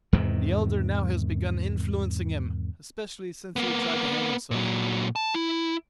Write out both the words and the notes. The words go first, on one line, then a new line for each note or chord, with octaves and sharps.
The elder now has begun influencing him, especially since he tried to hang himself.
E2 G#2 C3 D#3
A#3 B3
A#2 F#3
A5
E4